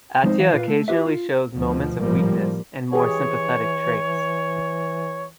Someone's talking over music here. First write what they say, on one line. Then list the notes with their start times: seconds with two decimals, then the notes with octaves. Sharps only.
Atia occasionally shows moments of weakness and more sympathetic traits.
0.24 F3 G#3 C4 D#4 C5
0.40 E3 F5
0.53 A#2 F4 B4 F5
0.68 A3
0.88 F4 G4 B4 E5
1.06 F4
1.56 D2 B2 F3
2.01 G#1 A2 F3 G3 A#3
2.93 E3 G4 G#4 C#5